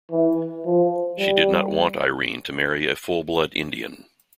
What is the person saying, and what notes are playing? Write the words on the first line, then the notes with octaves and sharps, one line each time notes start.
She did not want Irene to marry a full-blood Indian.
E3
F3
G3